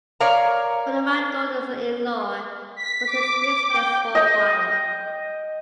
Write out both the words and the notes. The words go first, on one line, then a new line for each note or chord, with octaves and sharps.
One of my daughters-in-law was his mistress for a while.
A#4 C#5 D5 F5 A#5
B6
D6
G5
D#5 G5